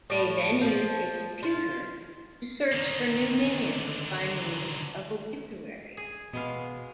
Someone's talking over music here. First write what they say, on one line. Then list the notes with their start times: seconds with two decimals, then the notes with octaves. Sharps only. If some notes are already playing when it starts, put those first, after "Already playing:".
They then use a computer to search for new minions by means of obituaries.
0.10 A2
0.61 F3
1.43 F4
2.72 D3 D#3
5.97 G#4
6.33 B2 G#3 B3 F5